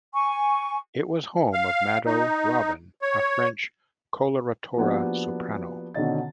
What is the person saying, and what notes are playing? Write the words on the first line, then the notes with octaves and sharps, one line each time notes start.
It was home of Mado Robin, a French coloratura soprano.
G#5 C#6
F5
D#4
C#5
F3 A#3 B3 D4 F#4 G4
B2 D3 D#3 C#4 D#5 A6